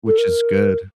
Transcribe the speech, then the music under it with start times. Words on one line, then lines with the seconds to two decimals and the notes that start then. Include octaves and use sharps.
Which is good.
0.07 A4
0.18 A#4